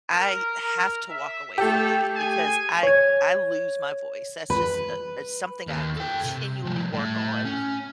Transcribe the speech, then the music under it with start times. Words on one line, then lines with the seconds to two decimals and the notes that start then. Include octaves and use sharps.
I have to walk away from that because I I lose my voice, that's just, uh uh, something I continually work on,
0.13 A#4
1.09 E5
1.58 A3 G4 A4
2.15 G#4 G#5
2.83 C#5 G#6
4.50 B4
5.67 D#2
5.97 A4 G5
6.24 C3
6.65 F3 G3
6.93 A2
7.45 C#4